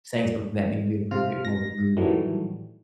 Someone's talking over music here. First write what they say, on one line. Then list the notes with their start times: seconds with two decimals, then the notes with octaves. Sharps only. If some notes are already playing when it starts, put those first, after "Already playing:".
saying something that may be a little bit more rude
1.11 C3 F4 F6
1.45 A#6
1.97 A2 D#3 E3 F#3 G3 A3